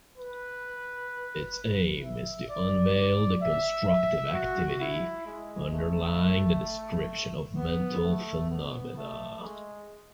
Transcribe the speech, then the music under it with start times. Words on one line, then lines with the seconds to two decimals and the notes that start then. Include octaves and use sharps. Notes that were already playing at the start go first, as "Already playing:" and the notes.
Its aim is to unveil the constructive activity underlying the description of mental phenomena.
0.18 B4
2.03 E5
2.49 D5
2.95 D5
3.41 E5
3.88 E5
4.34 F#4
4.80 E4
5.26 G#3
5.73 A3
7.57 B3
8.04 A3
8.50 B3
8.96 A3
9.43 G#3